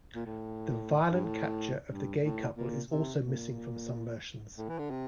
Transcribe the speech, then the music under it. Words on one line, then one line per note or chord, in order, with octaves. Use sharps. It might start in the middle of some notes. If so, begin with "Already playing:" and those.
The violent capture of the gay couple is also missing from some versions.
A#2
A2
G2
A2
G2
A2
A#2
C3
A#2
A2
E3
D3
C3